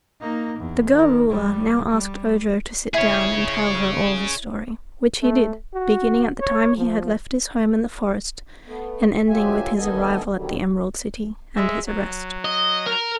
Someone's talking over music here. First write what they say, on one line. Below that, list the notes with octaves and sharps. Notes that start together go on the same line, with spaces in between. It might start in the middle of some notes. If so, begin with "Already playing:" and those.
The girl Ruler now asked Ojo to sit down and tell her all his story, which he did, beginning at the time he had left his home in the forest and ending with his arrival at the Emerald City and his arrest.
A#3 D#4
E2
D#3
F2 G3
G3
E4 G#4 C#5
A3
F#4
C#5
F3
A3 B3
D2 F#3 F4 G4 E5 G#5
D2 D#3 B3 A4 D#5 G#5
B2 D3 D#3 F#3 G3
G#3 E5
F#3
D#5
A#4